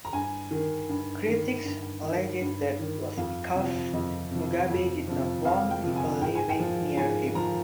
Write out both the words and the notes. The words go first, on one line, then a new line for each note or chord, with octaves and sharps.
Critics alleged that was because Mugabe did not want people living near him.
A#5
G2 G#5
D#3
G2
D#3
G2
D#3
G2
D#3
F2 F5
C3 F3
F2 D#5
C3 F3
F2
C3 F3
F2 F5
G5
C3 F3
G#5
G#2 G5
G#5
G5
F3
G#2 G#5
F3 A#5